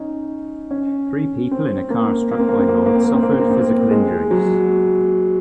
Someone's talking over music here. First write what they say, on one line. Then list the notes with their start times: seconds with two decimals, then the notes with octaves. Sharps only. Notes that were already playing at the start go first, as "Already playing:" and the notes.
Three people in a car struck by Laud suffered physical injuries.
Already playing: C#4 D#4
0.71 C#4
1.51 C4
1.90 A#3
2.31 A#3
2.39 C4
2.49 A#3
2.59 C4
2.68 A#3
2.77 C4
2.86 A#3
2.95 C4
3.04 A#3
3.14 C4
3.23 A#3
3.32 C4
3.41 A#3
3.50 C4
3.59 A#3
3.90 G#3
4.31 F#3